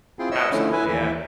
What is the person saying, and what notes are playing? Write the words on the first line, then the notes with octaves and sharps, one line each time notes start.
Absolutely, yeah.
C4 E4 F4 G#4 G5 C6
C#5 D#5 E5 E6
D3 F3 A3 C#4 E4
E4 B4 E5 G#5
D#2 E3 E5